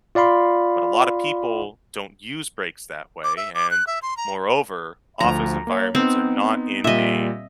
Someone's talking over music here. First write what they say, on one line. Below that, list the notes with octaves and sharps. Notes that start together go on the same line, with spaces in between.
but a lotta people don't use breaks that way, and moreover, office environments are not in a
F4 D5 F5 B5 C6
D6
E5
D6
F#6
E5
C6
A#5
D2 F3 A#5
A#3 C#5
B3 C4 D#4
A#2 G3 D#5 E5